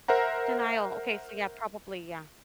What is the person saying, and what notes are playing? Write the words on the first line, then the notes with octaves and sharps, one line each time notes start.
Denial. Okay, so, yeah, probably, yeah.
A#4 C5 E5 F#5 A#5